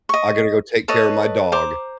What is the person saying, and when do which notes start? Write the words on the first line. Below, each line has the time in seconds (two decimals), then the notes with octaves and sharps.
I gotta go take care of my dog
0.09 D#5 C#6
0.88 A4 B4 C#5 D#5
1.52 C5 A#5 D6